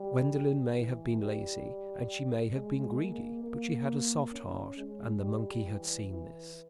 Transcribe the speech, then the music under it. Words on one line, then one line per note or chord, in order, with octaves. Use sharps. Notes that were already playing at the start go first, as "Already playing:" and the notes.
Gwendolen may have been lazy, and she may have been greedy, but she had a soft heart, and the monkey had seen this.
Already playing: G3
E3
G3
G#3
A#3
A#3
C#4
G#3
G3
E3
E3